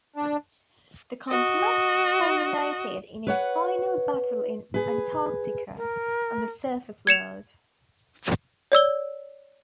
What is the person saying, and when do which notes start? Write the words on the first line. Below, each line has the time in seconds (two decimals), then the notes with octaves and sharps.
The conflict culminated in a final battle in Antarctica, on the surface world.
0.16 D4
1.29 F#4 D#5
3.27 B4 C#5 F#5
4.74 G#4 B4
5.77 A#4
7.07 G#6 C#7 E7 F7
8.72 C#5 D5 E6 G7